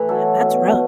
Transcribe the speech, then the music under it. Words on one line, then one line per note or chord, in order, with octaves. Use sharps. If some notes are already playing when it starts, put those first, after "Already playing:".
ah, that's rough,
Already playing: A2 E3
F#3 A4
B2
B2